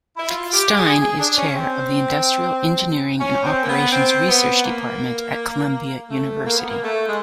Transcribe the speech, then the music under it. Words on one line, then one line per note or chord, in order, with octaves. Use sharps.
Stein is chair of the Industrial Engineering and Operations Research Department at Columbia University.
E4
F4
G4
G#4
G#4
D4
C#4
C4
C#4
C4
A#3
B3
C4
B3
A#3
A3
A#3
B3
A#3
A3
G#3